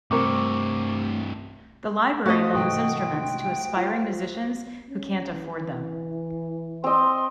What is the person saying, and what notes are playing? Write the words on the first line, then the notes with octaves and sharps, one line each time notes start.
The Library loans instruments to aspiring musicians who can't afford them.
G2 C3 A3 C4 A#4 C#6 D6
A3 F#4 C5 D#5 F5 D#6
G#2 C3 E3 G5
F4
C#4
E3
C4 D#5 C6